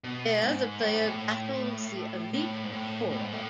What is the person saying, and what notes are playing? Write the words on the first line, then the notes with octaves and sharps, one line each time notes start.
There the player battles the Elite Four.
B2
G#2
A2
G#2
A2
A2
G#2
A2
A2
G#2
A2